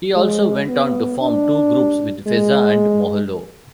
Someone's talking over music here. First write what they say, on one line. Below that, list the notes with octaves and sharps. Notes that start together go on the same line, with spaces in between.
He also went on to form two groups with Feza and Moholo.
G#3
B3
D4
G#3